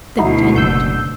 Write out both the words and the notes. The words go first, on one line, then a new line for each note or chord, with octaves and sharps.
Then it ended.
D2 B2 D#4 E4 F#4
F#1 E6 G6